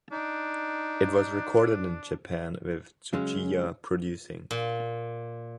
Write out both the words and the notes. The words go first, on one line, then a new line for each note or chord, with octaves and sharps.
It was recorded in Japan with Tsuchiya producing.
D4 D#4
C#3 F#3 G#3 C#4
A#2